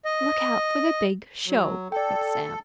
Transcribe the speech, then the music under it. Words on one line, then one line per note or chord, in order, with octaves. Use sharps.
"Look out for the big show," read Sam.
D#5
F#3
A4 D5 G5